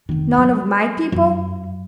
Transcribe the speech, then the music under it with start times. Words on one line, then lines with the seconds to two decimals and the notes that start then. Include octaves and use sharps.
'None of my people?
0.09 F1 D#3
0.38 F#3
1.12 F#2